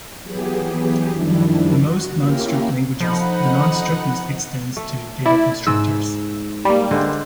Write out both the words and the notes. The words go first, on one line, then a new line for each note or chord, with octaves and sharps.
In most non-strict languages the non-strictness extends to data constructors.
E3 F#3 B3 G4 G#4
F#2 D#3 F3 G3 D4 E4
F#4
A#3 C#4 E4 F4 G4 A#4
D3 F3 D#4 C5 F#5 B5
A3
E4 D5
G#2 E6
G3 A#3
D3 G#3 C5